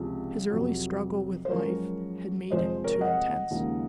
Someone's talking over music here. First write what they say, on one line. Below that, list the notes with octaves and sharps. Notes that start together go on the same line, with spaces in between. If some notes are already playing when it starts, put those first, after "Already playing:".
His early struggle with life had made him too intense.
Already playing: C#2 C3 F3 G#3
F2 C3 F#3
C5
F#2 F3 G#3 A#4 C#5
F2 C3 F3 G#3 C5 D#5
A#4 C#5
D#5 F#5
D#2 C#3 F3 G#3